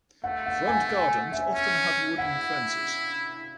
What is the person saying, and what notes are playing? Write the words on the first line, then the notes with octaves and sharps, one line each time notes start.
Front gardens often had wooden fences.
A3 F#5
F#5
G#5
F#5
E5
C#4
E4 F#5